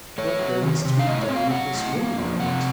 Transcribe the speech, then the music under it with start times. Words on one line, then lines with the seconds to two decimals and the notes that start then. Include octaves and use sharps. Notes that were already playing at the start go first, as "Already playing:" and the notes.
"What, then, is to be done with this woman?" I asked.
0.18 A3 C#5
0.39 F#3
0.62 D#3
0.85 C3
0.99 F5
1.07 A2 D#5
1.22 C#5
1.29 C4
1.36 F5
1.50 F#3 F#5
1.74 A2
1.95 A#3
2.18 F3
2.39 C3 F#5